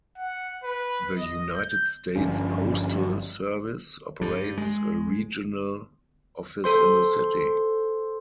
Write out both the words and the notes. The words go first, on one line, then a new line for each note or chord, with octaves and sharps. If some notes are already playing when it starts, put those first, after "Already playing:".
The United States Postal Service operates a regional office in the city.
F#5
B4
D#5
G6
G1 G2 F3 C#4
G2
G#3
A4 C5 C6